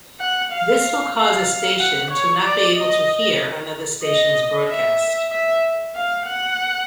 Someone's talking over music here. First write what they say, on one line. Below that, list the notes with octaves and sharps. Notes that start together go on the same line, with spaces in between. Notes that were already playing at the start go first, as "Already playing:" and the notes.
This will cause a station to not be able to 'hear' another station's broadcast.
F#5
F5
F5
F#5
C#5
D5
D#5
D#5
E5
E5
F5
F#5